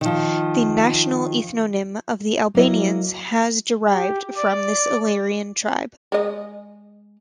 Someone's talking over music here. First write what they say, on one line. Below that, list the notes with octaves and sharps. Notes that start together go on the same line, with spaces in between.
The national ethnonym of the Albanians has derived from this illyrian tribe.
D#3 F3
F#3 A#3 E4 D#5
G4
D5
G#3 D#5